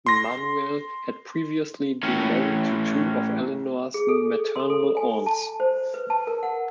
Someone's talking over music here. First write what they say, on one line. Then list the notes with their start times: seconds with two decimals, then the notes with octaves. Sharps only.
Manuel had previously been married to two of Eleanor's maternal aunts.
0.06 C6 A#6
2.03 A2 C#4
3.94 G#4
4.08 A4
4.56 C6
4.70 A4
4.97 G#5
5.26 A5
5.60 C5
5.94 B4
6.10 A5
6.27 A#4
6.43 F#5